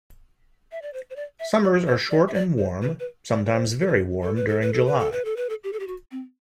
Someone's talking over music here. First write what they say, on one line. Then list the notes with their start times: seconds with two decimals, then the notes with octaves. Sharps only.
Summers are short and warm, sometimes very warm during July.
0.72 E5
0.82 D5
0.93 C5
1.10 C5
1.16 D5
1.39 E5
1.63 D5
1.87 C5
2.10 D5
2.28 E5
2.34 D5
2.58 C5
2.82 B4
3.00 B4
3.35 D5
3.46 B4
3.52 C5
3.81 A4
3.87 B4
4.23 A4
4.36 B4
4.48 A4
4.62 B4
4.73 A4
4.86 B4
4.99 A4
5.12 B4
5.25 A4
5.37 B4
5.49 A4
5.64 G4
5.73 A4
5.80 G4
5.87 F#4
6.11 C4